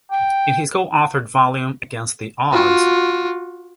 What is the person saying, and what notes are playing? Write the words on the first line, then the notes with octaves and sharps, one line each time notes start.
In his co-authored volume, Against the Odds?
G5
F4 F#4